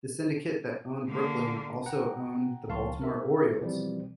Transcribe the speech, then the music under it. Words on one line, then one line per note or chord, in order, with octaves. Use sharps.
The syndicate that owned Brooklyn also owned the Baltimore Orioles.
D3 A#3
F#5 G5 A#5
C#2 F3 F5 A5 C6 C#6
A#4 E5
B2 E3 F3 G3 C4